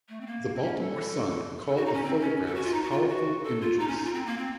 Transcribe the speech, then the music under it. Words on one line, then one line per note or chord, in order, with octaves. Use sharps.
The "Baltimore Sun" called the photographs "powerful images".
A3
C4
A#3
C4
C#4
A4
A4
F#4
D#4
C#4
C4
C#4
A4
F#4
F4
D#4
F#4
F4
F#4
A4
F4
D#4
C#4
D#4
F4
C4
A#3
C4